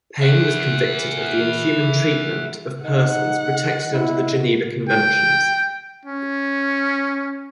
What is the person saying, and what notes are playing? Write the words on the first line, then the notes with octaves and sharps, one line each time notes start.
Payne was convicted of the inhuman treatment of persons protected under the Geneva Conventions.
E5 F#5
D#4 D#5 F#5
E4
G5
C#4